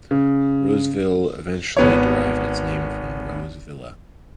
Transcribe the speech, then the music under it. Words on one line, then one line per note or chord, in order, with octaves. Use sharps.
Roseville eventually derived its name from "Rose Villa".
C#3
G#1 B3 C#5